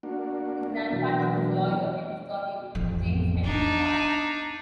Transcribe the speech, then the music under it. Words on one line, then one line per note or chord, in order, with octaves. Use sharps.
His grandfather was lawyer and historian James Henry Coyne.
A#3 D4 F#4
B2 E3 F#3
A1 F2
B3 D4 D#4